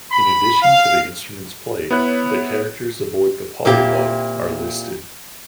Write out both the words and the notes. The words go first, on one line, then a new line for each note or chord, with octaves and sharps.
In addition to instruments played, the characters aboard the "Pollywogg" are listed.
B5
F5
B3 E4 C#5 F#6
A#2 C4 E4 G4